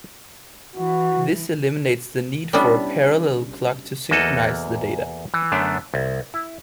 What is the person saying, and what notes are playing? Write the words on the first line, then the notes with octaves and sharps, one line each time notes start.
This eliminates the need for a parallel clock to synchronize the data.
E3 F#4
G3 B3 C#4 D4 E4
E2 A#3 F#4 A4 D#5
E3
F#2 D3 A3 B3 D4
C2
E4